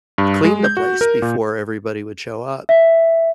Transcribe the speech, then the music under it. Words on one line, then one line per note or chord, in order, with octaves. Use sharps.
clean the place before everybody would show up.
G2
G#3
G6
F#4
A#4
A#2
E5